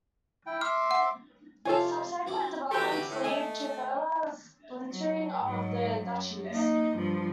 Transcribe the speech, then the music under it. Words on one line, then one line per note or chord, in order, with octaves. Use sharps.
Subsequent developments lead to further splintering of the duchies.
E4 G5
E5 C6 D6 F6
F#5
C3 F3 F4 G4 A4 C#5 F5 G#5
F#2 C4 E4
E3 C#4 F#4 G4 A4 G5
D3 B4 A#5
A2
A3 D#5 G#5
F#3
G#2 F#3
F#2
A#3 D#4
G2 F3